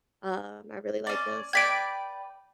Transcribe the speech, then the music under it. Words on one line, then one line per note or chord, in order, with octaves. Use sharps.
um, I really like those.
C#4 D5
B4 D5 G5 G#6 B6 D7